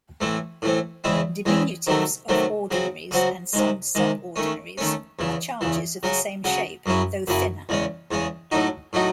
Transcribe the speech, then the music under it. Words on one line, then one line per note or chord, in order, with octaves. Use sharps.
Diminutives of ordinaries and some subordinaries are charges of the same shape, though thinner.
A2 E3 A3 C4
A2 E3 A3 C4
E2 C#3 G#3 C4 E4
E2 C#3 G#3 C4 E4
C3 D#3 F#3 A3 C4
C3 D#3 F#3 A3 C4
C#3 F#3 C4 F#4
C#3 F#3 C4 F#4
C3 D#3 G#3
C3 D#3 G#3
D#3 A3 C#4
D#3 A3 C#4
E2 C#3 E3
E2 C#3 E3
C#3 F#3 C#4 F#4
C#3 F#3 C#4 F#4
F#2 C#3 F#3 C#4 E4
F#2 C#3 F#3 C#4 E4
E2 C#3 G#3 C#4
E2 C#3 G#3 C#4
A2 F#3 A3 D#4 F#4
A2 F#3 A3 D#4 F#4